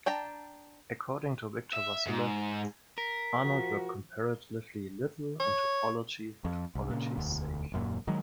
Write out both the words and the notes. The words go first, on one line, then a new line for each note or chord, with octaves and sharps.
According to Victor Vassiliev, Arnold worked comparatively little on topology for topology's sake.
D4 G5 A5 A#5
E5
G#2
A#4 B6
F3 F#4
C#5
F2
C2
A#2 C#3
E1 D2
D#1 F#2 A#2
D#3 F#3 G#3